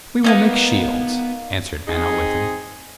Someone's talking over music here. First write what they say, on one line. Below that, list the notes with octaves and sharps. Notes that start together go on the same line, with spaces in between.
'We will make shields,' answered Manawyddan.
A#3 B3 C#4 D#4
C4 D#4 G#4